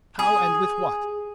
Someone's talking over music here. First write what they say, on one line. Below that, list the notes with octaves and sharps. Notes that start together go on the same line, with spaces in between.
How, and with what?
G#4